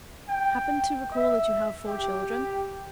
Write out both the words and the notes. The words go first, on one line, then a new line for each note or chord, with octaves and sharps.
Happened to recall that you have four children.
G5
E5
G4